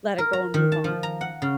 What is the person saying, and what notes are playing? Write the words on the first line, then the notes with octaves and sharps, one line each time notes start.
let it go and move on?
A#4
A#5
D#3
A5
F3
A#5
F#5
C#3